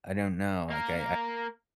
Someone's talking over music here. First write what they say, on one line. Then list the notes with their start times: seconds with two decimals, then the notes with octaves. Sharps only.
I don't know, like, I
0.70 A#3 A#4